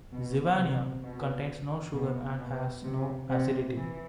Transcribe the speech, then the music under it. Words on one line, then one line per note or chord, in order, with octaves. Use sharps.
Zivania contains no sugars and has no acidity.
B2
C3
B2
B2
B2
C3
C3
E3